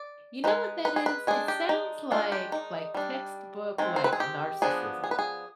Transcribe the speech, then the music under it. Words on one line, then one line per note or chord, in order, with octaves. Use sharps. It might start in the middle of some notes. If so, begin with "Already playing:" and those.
you know what that is? It sounds like like textbook, like, narcissism,
Already playing: D5
G#3 C4 D#4 B4
B4
G#4
B4
G#3 D4 G#4
G4
D#4
D#3 G#3 D4 F4
G4
D#4
G3 D4
D#3 G#3 C4
C5
B4
G#4
G4
F3 B3 D4 G#4
G#4
B4
G#4